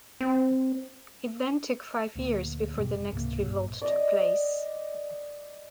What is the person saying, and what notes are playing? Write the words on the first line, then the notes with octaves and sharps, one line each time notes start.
It then took five years before the next revolt took place.
C4
D2 A#2
E1 G#2 B2 G3
F1
C#2 G#2 C3 A#3
A#1 G2 A#2
D5 D#5